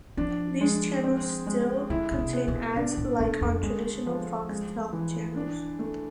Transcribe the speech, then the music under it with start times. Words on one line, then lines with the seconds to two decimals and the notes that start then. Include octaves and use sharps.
These channels still contain ads like on traditional Foxtel channels.
0.17 F3 D4
0.61 G#3
1.04 C4
1.47 G#3
1.90 D3 E4
2.11 B2
2.19 C3
2.33 B3
2.48 B2
2.76 B2 D4
2.97 A2
3.20 B2 A3
3.41 F2
3.63 D3 G#3
4.06 F3
4.49 G#3
4.93 E3
5.36 D4
5.79 A3